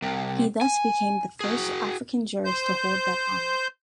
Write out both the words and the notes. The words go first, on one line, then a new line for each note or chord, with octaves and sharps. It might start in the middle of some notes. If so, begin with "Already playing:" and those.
He thus became the first African jurist to hold that honour.
C2 C3
G#5
F#4 G#4
C5 G6